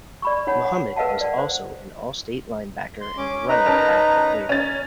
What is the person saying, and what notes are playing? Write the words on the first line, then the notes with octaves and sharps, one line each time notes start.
Muhammad was also an all-state linebacker and running back at Waverly.
D5 B5 C#6
D#4 C#5 F#5 B5
F#5
A#4 B4 D#5 F5 F#5 A5
D5 F#5
C5
C6
C#4 D6
D#4 B4 A#5
C#4 A#4 A5
C#4 A6